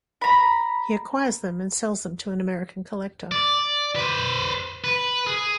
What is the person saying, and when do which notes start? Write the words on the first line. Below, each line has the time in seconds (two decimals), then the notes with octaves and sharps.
He acquires them and sells them to an American collector.
0.21 A#5 B5
3.32 D5
3.96 B4 C5
4.84 B4
5.27 G#4